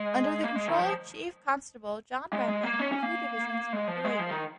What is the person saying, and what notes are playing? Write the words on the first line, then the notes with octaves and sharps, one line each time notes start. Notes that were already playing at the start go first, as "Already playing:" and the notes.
Under the control of Chief Constable John Redman, two divisions were created.
Already playing: G#3
A#3
G#3
D#3
F3
G#3
G#3
A#3
C#4
C#4
A#3
G#3
F3
G#3
F3
D#3